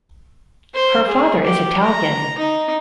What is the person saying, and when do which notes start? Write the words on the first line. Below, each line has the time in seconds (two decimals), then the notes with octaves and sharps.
Her father is Italian.
0.74 C5
1.07 G#4
1.44 G4
1.84 A#5
2.38 D#4